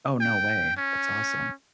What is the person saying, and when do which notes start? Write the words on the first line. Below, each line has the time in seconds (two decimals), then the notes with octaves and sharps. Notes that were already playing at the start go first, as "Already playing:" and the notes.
Oh, no way. That's awesome.
0.21 G5
0.77 C#4